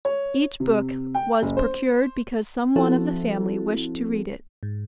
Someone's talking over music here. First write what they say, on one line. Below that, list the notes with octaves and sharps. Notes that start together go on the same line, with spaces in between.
Each book was procured because some one of the family wished to read it.
C#5
C3
G5
F#1
C5
F3 C4 E4 F#4 A4
G#2